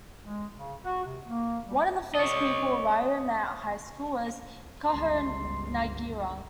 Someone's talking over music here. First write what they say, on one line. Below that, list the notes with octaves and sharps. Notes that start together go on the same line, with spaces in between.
One of the first people Ryo met at high school was Kaho Nagira.
G#3
C#3
F#4
C3
A#3
G3
C#5 D#5
G1 C#2 C6